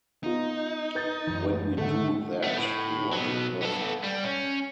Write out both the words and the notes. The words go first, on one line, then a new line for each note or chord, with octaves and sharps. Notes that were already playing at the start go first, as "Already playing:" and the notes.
When we do that, we want it perfect.
B3 D#4 F4
B4 G6 A6
F#2 E3
G#2 D3 D#3 A3 A4 F#5
A3 B3
A2
F#3 B3
B3 A4
G3
C#4